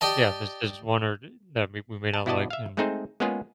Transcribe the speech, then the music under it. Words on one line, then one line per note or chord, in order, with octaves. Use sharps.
Yeah, there's, there's one or that or we we may not like and,
G4 D5 D#5 A5
A5
B2 E4 F#4 D5 D#5 A5
E5 F5
G#3 A3 C4 D#4 G#4 C5
G#3 A#3 B3 C#4 F4 G#4